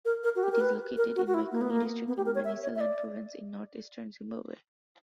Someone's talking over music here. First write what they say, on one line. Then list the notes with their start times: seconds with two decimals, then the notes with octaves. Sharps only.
It is located in Makoni District in Manicaland Province, in northeastern Zimbabwe.
0.05 A#4
0.24 A#4
0.36 F#4
0.43 G4
0.52 A#4
0.61 B4
0.97 A#4
1.16 F#4
1.27 F#4
1.34 E4
1.52 A#3
1.61 B3
1.70 A#3
2.08 B3
2.17 G4
2.26 A#4
2.35 C#5
2.44 E5
2.62 C#5
2.76 E5
2.81 D5